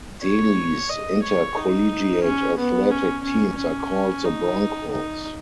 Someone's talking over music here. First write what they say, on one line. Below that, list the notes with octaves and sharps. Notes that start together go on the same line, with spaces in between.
Delhi's intercollegiate athletic teams are called the Broncos.
C#5
D#5
C#5
D#4
C#4
B3
C#4
C#4
C#4
D#4
D#4